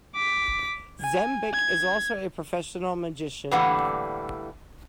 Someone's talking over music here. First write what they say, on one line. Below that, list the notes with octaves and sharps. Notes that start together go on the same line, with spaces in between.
Zembic is also a professional magician.
D6 B6
G#5
G#6
A2 D3 E3 G3 A#3 F#5